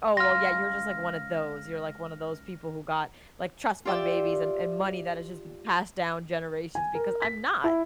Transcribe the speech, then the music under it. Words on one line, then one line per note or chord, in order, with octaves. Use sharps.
"Oh well, yeah, you're just like one of those, you're, like, one of those people who got, like trust fund babies and and money that has just been passed down generations.", because I'm not.
C#2 F5 C6 F6 A#6
F4 G4 D5 E5 G5
G#5
A#4
B6
E4